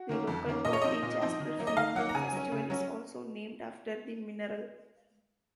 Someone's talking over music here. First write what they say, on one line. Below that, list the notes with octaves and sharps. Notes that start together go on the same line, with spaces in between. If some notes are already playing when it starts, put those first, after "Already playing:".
The local Poppy Jasper Film Festival is also named after the mineral.
Already playing: F#4
D#3 A#3 C#4
F2
D#3 A#3 C#4
A#2 D#5
C#5
F3 C4 D#4 D#5
A#2
F3 C4 D#4
D#3
F#3 A#3 D#4
D#5
D#3 F5
F#3 A#3 D#4 F#5
A#5
C#3 G#5
F#3 C#4
C#3
F#3 C#4